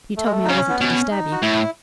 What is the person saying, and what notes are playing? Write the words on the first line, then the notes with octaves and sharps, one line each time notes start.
You told me I wasn't to disturb you.
A3
G#3
A3
D#4
C#3 C#4
B3
B2 C#4
D#4
F#4
A2 E4